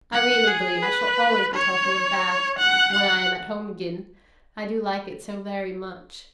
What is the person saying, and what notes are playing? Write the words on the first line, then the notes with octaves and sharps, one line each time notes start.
I really believe I shall always be talking of Bath, when I am at home again--I do like it so very much.
F#5
G#4
B4
C#5
F#5
F#5